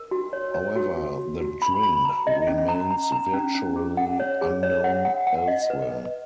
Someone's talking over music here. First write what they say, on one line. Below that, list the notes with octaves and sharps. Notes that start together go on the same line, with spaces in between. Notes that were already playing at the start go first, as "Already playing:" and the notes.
However, the drink remains virtually unknown elsewhere.
Already playing: A#4
F#4
C#5
C#5
F#4
F#4
F#4
F#4
B5
B5
A#5
D#5
C#4
A#5
A#5
A#5
C#4
C#4
G#4
F#5
C#5
G#4
C#5
F#5
F#5
F#5
D#5
B4
D#5